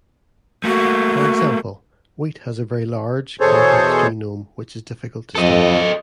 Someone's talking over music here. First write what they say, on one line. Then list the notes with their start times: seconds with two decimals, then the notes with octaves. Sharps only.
For example, wheat has a very large, complex genome which is difficult to study.
0.64 A3 A#3 F#4
3.40 E2 B2 G#4 A4 C5 C#5
5.35 F2 A4 D#5